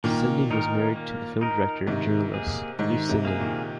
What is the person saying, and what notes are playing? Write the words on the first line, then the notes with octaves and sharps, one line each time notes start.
Sinding was married to the film director and journalist Leif Sinding.
A#2 D#3 A#3
A#2 D#3 D#4 A#4
A#3
D#4 A#4
G#2 C3 D#3
A#3 G#4
G#2 D#3
G#2 C3
A#3 G#4
A#2 D#3